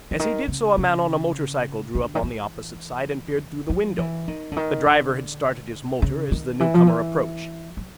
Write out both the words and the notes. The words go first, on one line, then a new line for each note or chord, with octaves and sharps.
As he did so a man on a motorcycle drew up on the opposite side and peered through the window. The driver had started his motor as the newcomer approached.
D3
D#3
C#3
C#3
D3
D#3
E3
F3
E3
D#3
D3
D#3
D3
C#3
D#3
E3
F3
E3
F#3